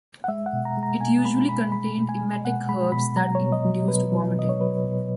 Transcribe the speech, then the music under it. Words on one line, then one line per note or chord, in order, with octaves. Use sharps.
It usually contained emetic herbs that induced vomiting.
F#5
G#3 E5
F#5
B2
A#5
G#3
A#5
B2 G#5
G#3 B5
B2 B5
G#3 B5
B2
G#5
G#3
B2 F#5
G#3 B5
B2 B5
F#3 A#5
C#5
B2
D#5
F#3
B2 B4
F#3
B2 D#5
C#5
F#3 B4
B2